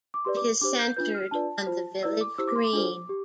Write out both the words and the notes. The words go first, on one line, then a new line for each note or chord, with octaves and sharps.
It is centered on the village green.
D6
G4 B4 D5 C6
D6
D4 G4 C5 D6
G6
D4 F4 B4 G6
F6
D4 F4 B4 D5 A5
F4 C5
E4 B4 D5 E6
D6
E4 G4 C5 E6
D6
C6
D6
D4 F4 A4 C5
G4